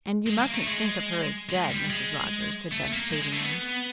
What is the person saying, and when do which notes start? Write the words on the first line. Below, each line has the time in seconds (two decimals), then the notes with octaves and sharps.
"And you mustn't think of her as dead, Mrs. Rogers," said Beth, pleadingly.
0.27 G#3
0.39 A#3
0.54 A3
0.68 G#3
1.49 G#3
1.70 G3
1.90 G#3
2.71 A3
2.92 A#3
3.11 G#3
3.22 G#3
3.32 A3
3.43 B3